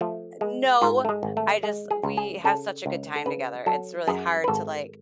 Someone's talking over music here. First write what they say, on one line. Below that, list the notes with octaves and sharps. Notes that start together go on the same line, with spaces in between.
Eh, no, I just we have such a good time together, it's really hard to, like,
F3 A3
G#3
G#2 F4
A3
G#3
G#1
A3
G#3
G#4
C#2
G#4
C#3 A4
C#2
A4
C#3 B4
F#3 A4
F#2 G#4
B4
G#1 A4